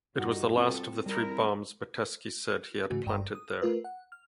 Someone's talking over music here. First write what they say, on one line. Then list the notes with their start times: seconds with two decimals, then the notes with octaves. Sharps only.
It was the last of the three bombs Metesky said he had planted there.
0.16 G2 G3 D#4 F4 F#4
0.58 C4 F4 A4
1.06 G3 C4 E4 A#4
2.90 G#2 C#3 E3 A3 F#4
3.05 G1 G2 G5 A#5
3.35 D#6
3.62 A3 F4 A#4 B4
3.84 F#5
4.12 F6